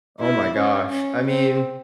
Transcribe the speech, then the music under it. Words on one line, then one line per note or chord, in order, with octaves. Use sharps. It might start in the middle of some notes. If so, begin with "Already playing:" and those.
Oh my gosh, I mean,
E4
C#4
C#4
C4